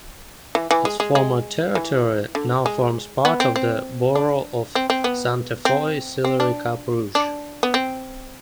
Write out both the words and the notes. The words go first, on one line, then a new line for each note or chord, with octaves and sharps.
Its former territory now forms part of the borough of Sainte-Foy-Sillery-Cap-Rouge.
E3
E3
G#3
G#3
G#3
E3
D3
G#3
B3
C4
C4
D4
C4
C4
B3
C4
C4
D4
D4
B3
C4